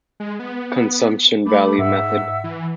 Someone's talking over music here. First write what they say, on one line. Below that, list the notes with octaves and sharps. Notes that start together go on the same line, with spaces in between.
Consumption value method.
G#3
B3
A3 B5 D6
G#2 E5 F#5 E6
E3